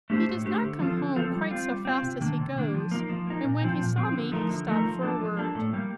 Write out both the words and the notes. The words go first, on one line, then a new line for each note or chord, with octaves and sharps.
He does not come home quite so fast as he goes, and when he saw me he stopped for a word.
A3 D4 G4 C5
A2
A3 D4 G4 C5
D3
F3 C4 F4 A4
D3
F3 C4 F4 A4
G3
C4 F4
G3
C4 F4
C3
D#3 A#3 D4
C3
D#3 A#3 D4
F3
A#3 D#4
F3
A#3 D#4
A#2
F3 C4
A#2
F3 C4
D3
F3 A3 D#4 A#4
D3
F3 A3 D#4 A#4
F3
A#3 D4 A4
F3
A#3 D4 A4
A2
G3 A#3